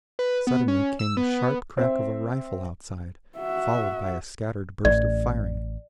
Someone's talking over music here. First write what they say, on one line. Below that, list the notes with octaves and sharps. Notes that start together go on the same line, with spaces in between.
Suddenly came the sharp crack of a rifle outside, followed by a scattered burst of firing.
B4
B3
C#4
E6
B3
C4 E5
F#4 E5
A1 D5